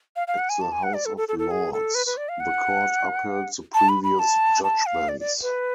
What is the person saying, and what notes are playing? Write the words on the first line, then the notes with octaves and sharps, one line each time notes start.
At the House of Lords, the Court upheld the previous judgments.
F5
F5
F#5
G#5
A5
G#5
F#5
D5
A4
A4
A4
A4
G#4
A4
B4
B4
D5
F5
F#5
A5
B5
B5
A5
A5
F5
D5
D5
B4